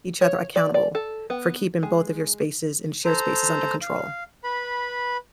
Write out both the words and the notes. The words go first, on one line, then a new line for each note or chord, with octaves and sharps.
each other accountable for keeping both of your spaces and shared spaces under control.
C#5
D5
D5
A4
B3
G#3
A4 C5 A#5
F5
B4 B5